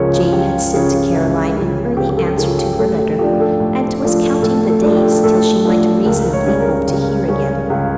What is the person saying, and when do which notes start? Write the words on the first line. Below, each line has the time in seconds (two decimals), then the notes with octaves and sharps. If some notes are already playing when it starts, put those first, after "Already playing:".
Jane had sent Caroline an early answer to her letter, and was counting the days till she might reasonably hope to hear again.
Already playing: C#2 C#3 F3 C#4 A#4 C#5
0.23 F4
0.33 C#2 G4
0.74 C#3 F3 C#4
1.15 C#2
1.56 C#3 F3 C#4
1.97 C#2 G4
2.10 G4
2.17 A4
2.37 C#3 F3 C#4 A#4
2.58 G4
2.78 A2 A4
2.99 G4
3.19 F3 A3 D4 G4
3.40 A4
3.60 A2
4.02 F3 A3 D4
4.42 A2 A4
4.69 A4
4.83 F3 A3 D4
4.96 G4
5.23 A2 A4
5.65 F3 A3 D4
6.05 C#2 A#4
6.22 A#4
6.33 C#5
6.46 C#3 G3 C#4
6.60 A#4
6.88 C#2
7.28 C#3 G3 C#4
7.70 C#2